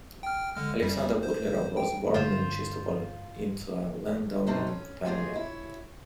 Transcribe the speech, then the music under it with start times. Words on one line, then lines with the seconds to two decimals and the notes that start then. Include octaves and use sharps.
Alexander Butlerov was born in Chistopol into a landowning family.
0.23 G5 F6
0.55 D3 G#3 F6
0.82 F#2 G3
1.23 C5
1.77 G5
2.14 G2 D3 F4 C5
4.47 F#2 B2 C4 D#4 A4 B4
4.67 C#4
5.05 A3 F4 G4 G#4 C#5 D#5
5.34 E4 C#5